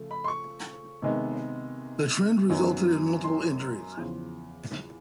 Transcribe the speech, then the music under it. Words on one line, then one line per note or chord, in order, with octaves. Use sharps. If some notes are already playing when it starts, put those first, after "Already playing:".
The trend resulted in multiple injuries.
Already playing: C#3 F3 A3
B5
C6
C#6
C3 D#3 G#3 B3
F#2 D#3 F#3 B3
C6
E2 C#3 F3